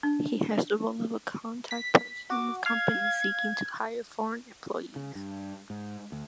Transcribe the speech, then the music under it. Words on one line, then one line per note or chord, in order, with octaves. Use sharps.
He has the role of a contact person with companies seeking to hire foreign employees.
D4
B6
F#4 D6
F5 G#6
C#3
G2
G#2
D2